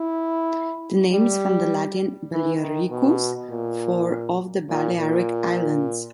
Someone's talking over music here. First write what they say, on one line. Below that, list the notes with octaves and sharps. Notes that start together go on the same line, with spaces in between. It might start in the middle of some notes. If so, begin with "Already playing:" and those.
The name is from the Latin "Baliaricus" for "of the Balearic Islands".
Already playing: E4
G3
E3
D#3
B2
A#2
A#2
A#2